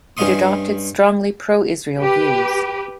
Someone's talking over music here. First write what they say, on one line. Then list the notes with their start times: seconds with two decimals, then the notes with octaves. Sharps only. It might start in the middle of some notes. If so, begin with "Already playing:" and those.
It adopted strongly pro-Israel views.
0.17 G2 C#4 D#5 F5 C6 D#6
2.01 G4 B4